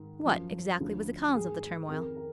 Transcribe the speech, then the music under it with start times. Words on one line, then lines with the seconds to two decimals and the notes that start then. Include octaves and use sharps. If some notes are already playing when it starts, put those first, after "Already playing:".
What, exactly was the cause of the turmoil?'
Already playing: G#2 D#3
0.25 F#2 F3
0.80 D2 D3 F3
1.34 G#2 D#3 G#4
1.89 F2 D#3 A#4
2.16 A#4